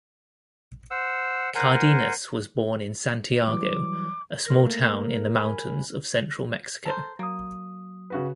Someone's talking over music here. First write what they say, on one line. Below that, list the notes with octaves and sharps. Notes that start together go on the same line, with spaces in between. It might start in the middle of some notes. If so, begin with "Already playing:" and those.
Cardenas was born in Santiago, a small town in the mountains of central Mexico.
C5 F#5 E6
A#4 C5 F#5 G#5
E3 F#3 G3 D6
A#4 C6 F6 A#6
A3 A#3 A4
G#5 B5
A4 A#4 C5
F#3 A#3 D#6
C#3 F#4 B4